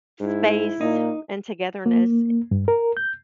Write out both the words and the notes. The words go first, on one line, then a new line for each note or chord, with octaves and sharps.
space and togetherness,
G#2 E4
A#2 A#3 D#4
A#3
G2
A#4
G6